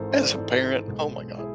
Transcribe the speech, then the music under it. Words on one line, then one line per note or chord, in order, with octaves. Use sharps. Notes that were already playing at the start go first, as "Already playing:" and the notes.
As a parent, oh my god.
Already playing: G#1 G#2 E3 G#3 A4 C5
C5
D5
A4 C5
G#1 G#2 E3 G#3
B1 B2 G#3
E4 G#4